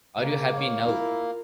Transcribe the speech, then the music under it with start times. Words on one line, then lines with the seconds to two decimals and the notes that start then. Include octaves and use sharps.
Are You Happy Now?
0.20 C#3 A#3
0.57 C#5
0.86 E4 F4 A#4